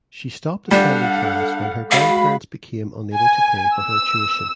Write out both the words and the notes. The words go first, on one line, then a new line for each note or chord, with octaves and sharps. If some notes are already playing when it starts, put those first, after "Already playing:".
She stopped attending class when her grandparents became unable to pay for her tuition.
G3 D4 A4 F5 F#5
G#3 F#4 F5 B5
G#5
E6